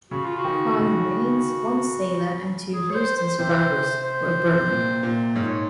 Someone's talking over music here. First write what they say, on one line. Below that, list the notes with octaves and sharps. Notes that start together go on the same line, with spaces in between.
Five Marines, one sailor and two "Houston" survivors were burned.
C#3 F#4
F4
F#4
D#3
C#3
G#4
C#5
C5
C5
C3 C5
C5
A#2
A#2
G#2 C#5
C#5